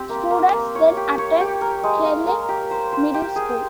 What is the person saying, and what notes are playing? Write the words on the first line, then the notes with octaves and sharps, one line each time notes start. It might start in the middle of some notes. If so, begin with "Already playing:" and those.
Students then attend Kelly Middle School.
Already playing: C4 G4
A#3
A#3
A#3
C#5
G4
C#5
G4
A#4
G#3
F5
A#4
G4
C5
C5
G4
G#4